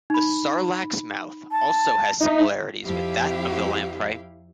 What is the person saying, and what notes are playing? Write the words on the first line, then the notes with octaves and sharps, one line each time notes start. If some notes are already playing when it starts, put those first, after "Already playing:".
The sarlacc's mouth also has similarities with that of the lamprey.
D#4 B5
A5
D#4 E5
F2 E4 G4 F5